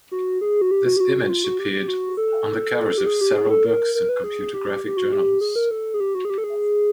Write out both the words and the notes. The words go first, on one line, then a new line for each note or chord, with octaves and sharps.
This image appeared on the covers of several books and computer graphic journals.
F#4
G#4
F#4
G4
F#4
G4
F#4
F#4
F4
F#4
G4
G4
F#4
A4
G4
G#4
G4
G#4
A4
A#4
A#4
B4
G#4
G4
G4
F#4
G4
G#4
A#4
A4
G#4
G4
F#4
G#4
G4
A4
G#4